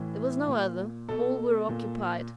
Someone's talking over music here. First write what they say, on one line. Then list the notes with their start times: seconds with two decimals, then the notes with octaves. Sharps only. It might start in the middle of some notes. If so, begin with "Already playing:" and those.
There was no other, all were occupied.
Already playing: A2 E3
0.48 A#2
1.09 B2 A4
1.69 A#2